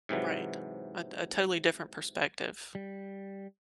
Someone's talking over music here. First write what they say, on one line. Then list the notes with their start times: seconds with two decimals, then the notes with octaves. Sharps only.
Right. A a totally different perspective.
0.09 G#2 C3 E3 F#3
2.75 G3